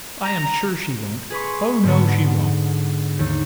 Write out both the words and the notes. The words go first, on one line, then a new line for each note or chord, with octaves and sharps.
I am sure she won't. Oh, no, she won't.
A#5
G#4 B4 C6 C#6
G#2 D3 B3
D#2